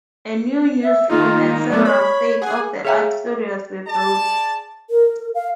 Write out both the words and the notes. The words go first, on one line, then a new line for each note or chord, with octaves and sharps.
A new newsroom and several state-of-the-art studios were built.
E5
D#3 A#3 D#4 F4
F#3 A3 B3 D5
C#5 B5
G#4 F#5 G#5
G#4 C#5 E5 F5 G5 A#5
G#4 D5 A5
A#4
F5